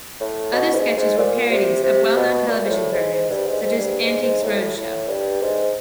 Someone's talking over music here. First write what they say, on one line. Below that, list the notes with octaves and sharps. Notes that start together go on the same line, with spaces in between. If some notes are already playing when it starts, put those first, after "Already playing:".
Other sketches were parodies of well known television programs, such as "Antiques Roadshow".
A2
B2
G#2
G#2
A#2
C3
C3
B2
A#2
G#2
A2
G#2
G#2
G2
G#2
G#2
G2
G#2
G#2
A2
A2
G2
G#2